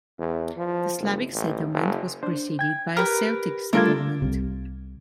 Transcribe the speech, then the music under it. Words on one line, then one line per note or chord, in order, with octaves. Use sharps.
The Slavic settlement was preceded by a Celtic settlement.
E2
F3
F#1
A1
F#1
D4 C5
G5 G#6
G4 A#4 B4 F6
G3 A3 D4 F4 A4 A#4 G#6
C2 C3